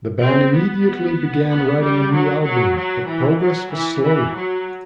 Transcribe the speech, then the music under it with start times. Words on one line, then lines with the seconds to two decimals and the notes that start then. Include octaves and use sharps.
The band immediately began writing a new album, but progress was slow.
0.21 C4
0.53 B3
1.48 B3
1.80 G3
2.12 F#3
2.43 F#3
2.75 F#3
3.06 E3
3.39 F#3
3.70 E3
4.02 E3
4.34 F#3